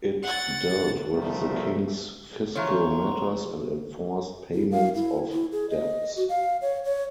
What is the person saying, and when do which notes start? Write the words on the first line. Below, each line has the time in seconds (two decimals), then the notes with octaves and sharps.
It dealt with the king's fiscal matters and enforced payments of debts.
0.23 F#5 A6
1.11 C2 D3 D#3 F3 A3
2.56 E3 F3 C#5 A#5 C6 C#6
4.54 E4
4.72 F5
4.95 E4
5.32 E4
5.52 G#4
5.70 D#5
6.16 F#4
6.29 F5
6.62 C#5
6.84 C#5